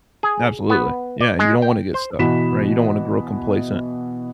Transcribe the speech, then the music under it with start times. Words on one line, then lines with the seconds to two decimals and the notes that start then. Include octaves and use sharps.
Absolutely, yeah, and you don't wanna get stuck, right? You don't wanna grow complacent
0.23 G#4
0.70 B3
1.21 D5
1.39 G#3
1.62 G5
1.94 C5
2.19 B2 E3 F#4 B5 B6 E7